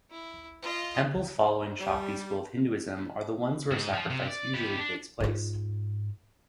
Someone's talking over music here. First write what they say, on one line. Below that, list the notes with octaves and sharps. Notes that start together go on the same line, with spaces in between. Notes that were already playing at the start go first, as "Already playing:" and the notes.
Temples following Shakti school of Hinduism are the ones where sacrifice usually takes place.
E4
F4 D#5
G3
G#2
F3
C3
D5
B3 G4
D4
G#2 F4